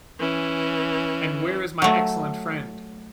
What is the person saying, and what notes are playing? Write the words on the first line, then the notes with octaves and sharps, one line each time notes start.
And where is my excellent friend?
E3 C#4
F#3 A3